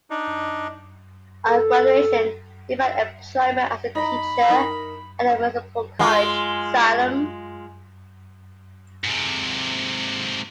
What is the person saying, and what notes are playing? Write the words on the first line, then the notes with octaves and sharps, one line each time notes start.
On graduation, he found employment as a teacher at Municipal College, Salem.
D4 D#4
A4
D#4 D#5 A#5 B5
D#4 A#4
G#3 F4
G#2 C3